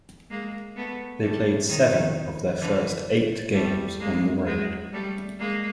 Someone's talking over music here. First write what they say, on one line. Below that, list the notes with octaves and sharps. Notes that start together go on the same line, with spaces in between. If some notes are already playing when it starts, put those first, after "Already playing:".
They played seven of their first eight games on the road.
G#3 A#3
A3 B3
G3 A3
D#3
D3 E3
G3 A3
G#3 A#3
F#3 G#3
G3 A3
G#3 A#3